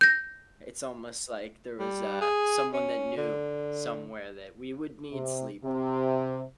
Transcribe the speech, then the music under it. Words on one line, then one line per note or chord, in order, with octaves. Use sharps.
It's almost like there was, uh, someone that knew somewhere that we would need sleep.
G6 A#6
G3
G#4
C#4
D3
C3
C3